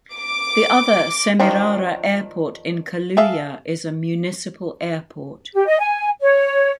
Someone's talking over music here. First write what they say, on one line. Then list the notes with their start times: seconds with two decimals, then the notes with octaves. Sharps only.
The other, "Semirara Airport" in Caluya is a municipal airport.
0.16 D6
1.40 D#3 F3 C#4 D4
3.17 G#4 A4 E5 F5
5.54 G4
5.66 D#5
5.79 G#5
6.21 C#5